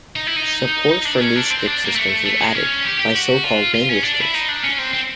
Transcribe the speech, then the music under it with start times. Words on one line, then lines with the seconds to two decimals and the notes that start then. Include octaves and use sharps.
Support for new script systems was added by so-called Language Kits.
0.16 D#4
0.27 E4
0.36 D#4
1.06 D4
1.21 C#4
1.36 D4
1.51 C4
1.66 D4
1.85 A#3
1.96 A3
2.25 A3
2.41 G#3
2.55 C#4
2.85 G4
3.00 G4
3.15 F#4
3.44 F4
3.74 F4
3.89 C#4
4.04 D4
4.20 E4
4.34 D#4
4.49 D4
4.64 C#4
4.79 C4
4.94 C4